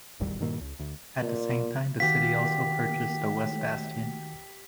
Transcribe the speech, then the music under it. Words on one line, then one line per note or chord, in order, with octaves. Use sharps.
At the same time the city also purchased the West Bastion.
E1 A1 D#2 G3
G2 A#2 D#3 A#3
C#2
D2
A#2
D#3 F#4 G4 F5 F#5 B6